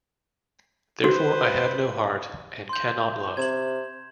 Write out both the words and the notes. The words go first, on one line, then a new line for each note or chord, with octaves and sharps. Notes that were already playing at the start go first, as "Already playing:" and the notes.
Therefore I have no heart, and cannot love.
F#4 B4 C5
C6 G6
C3 G#6 E7 F#7